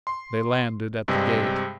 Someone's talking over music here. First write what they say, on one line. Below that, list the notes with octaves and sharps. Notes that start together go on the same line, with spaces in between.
They landed at the gate.
C6
G2 C3 G#3